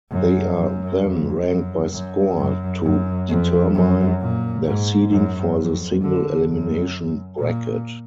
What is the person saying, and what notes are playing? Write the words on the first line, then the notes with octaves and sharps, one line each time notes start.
They are then ranked by score to determine their seeding for the single-elimination bracket.
F#2
F#2
F2
F#2
F#2
F#2
F#2
F2
F#2
A#2
G#2
F#2
F2
D3
F#2
A#2